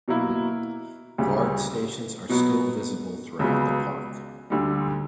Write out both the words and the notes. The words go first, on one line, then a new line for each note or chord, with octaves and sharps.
Guard stations are still visible throughout the park.
B2 F#3 A#3 E4
D2 C#3 G3
B2 F#3 B3
C#2 C#3 F#3 B3
D2 D3 G3